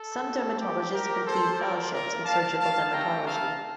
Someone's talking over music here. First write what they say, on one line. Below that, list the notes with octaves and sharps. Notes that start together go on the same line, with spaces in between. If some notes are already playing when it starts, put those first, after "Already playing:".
Some dermatologists complete fellowships in surgical dermatology.
Already playing: A4
C4 D#4 G4
G4
G4 A#4
A4 C5
C4 F4 A#4 D5
A#4 D5
F5 A5
F5 A5
A3 C4 D#4 G4 G5 A#5
F5 A5